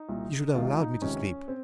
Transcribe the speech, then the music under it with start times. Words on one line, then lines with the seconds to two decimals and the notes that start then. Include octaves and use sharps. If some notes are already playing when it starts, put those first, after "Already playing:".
You should have allowed me to sleep.
Already playing: D#4
0.09 C2 A#2
0.55 C#2 C3 D#3 F4
0.79 D#4
1.02 C#2 C3 D#3 C#4
1.48 C4